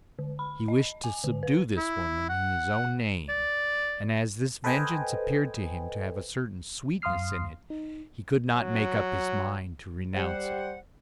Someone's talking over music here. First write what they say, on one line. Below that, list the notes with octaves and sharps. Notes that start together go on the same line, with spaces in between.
He wished to subdue this woman in his own name; and as this vengeance appeared to him to have a certain sweetness in it, he could not make up his mind to renounce it.
D3
B5
D#5
G#5
D3
B4
E4
F#5
D5
A4 B4 C5 D#5 G5 G#5
F#2 F5 C6 D#6 F6 C7
D#4
F#3
G3 C5 F#5